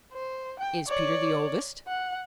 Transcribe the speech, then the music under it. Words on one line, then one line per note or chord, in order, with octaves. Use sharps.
"Is Peter the oldest?"
C5
G5
C#5 D5
F#5